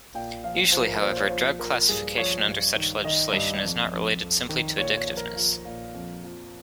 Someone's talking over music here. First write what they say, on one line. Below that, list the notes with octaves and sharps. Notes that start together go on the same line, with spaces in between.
Usually, however, drug classification under such legislation is not related simply to addictiveness.
A#2 G5
F3 F5
F3 C5
A#4
A#2 C5
C#5
F3 C5
F3 A#4
G2 G#4
F3 C#5
G2
D#3
D#3 D#5
G2 D#5
F2
F2
F2
D#3
A#2 C#5
C#5
F3
A#4
F3
A#2
F2
F3